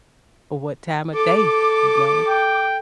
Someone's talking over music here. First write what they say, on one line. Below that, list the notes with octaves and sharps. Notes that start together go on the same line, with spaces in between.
or what time of day, you know?
A4 D6
G5